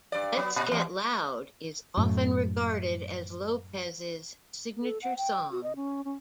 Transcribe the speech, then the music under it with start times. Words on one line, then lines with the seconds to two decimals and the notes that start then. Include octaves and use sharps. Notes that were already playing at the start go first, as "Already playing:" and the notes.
"Let's Get Loud" is often regarded as Lopez's signature song.
0.12 G2 D5
0.37 F#3 B3
0.56 A#2
0.72 E2
1.97 F#2 A2
4.82 A4
5.03 F#5
5.17 G5
5.51 F#4
5.63 D#5
5.76 C#4
6.05 C#4